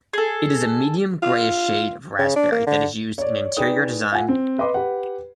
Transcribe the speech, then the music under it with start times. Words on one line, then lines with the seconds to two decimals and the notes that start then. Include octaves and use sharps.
It is a medium grayish shade of raspberry that is used in interior design.
0.13 G#4 A4
1.22 F4
2.19 C#3
2.36 D4
2.52 A#3
2.67 D3
3.18 C#5 D5
3.57 D#4 G#4 B4 D5 G5 D#6
4.12 F4 F#5 G#5
4.28 C4
4.58 B4 D#5 C6 D6
4.74 G4 B4 F#5